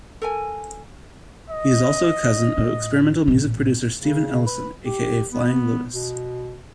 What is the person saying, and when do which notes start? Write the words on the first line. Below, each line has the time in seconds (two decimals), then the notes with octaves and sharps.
He is also a cousin of experimental music producer Steven Ellison, aka Flying Lotus.
0.22 A4 A#4 G#5
1.50 D#5
2.58 A2
3.27 A1 A#2
4.01 C#3
4.46 B4
4.86 G4
5.31 B3
5.94 B2